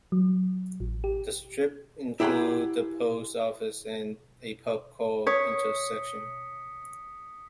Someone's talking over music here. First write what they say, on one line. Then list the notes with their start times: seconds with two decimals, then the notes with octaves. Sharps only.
The strip includes the post office and a pub called The Intersection.
0.12 F#3
0.80 A1
1.04 G4
2.20 E4 G4 G#4 F#5 A#5 C6
5.27 C#5 D#6 B6 C#7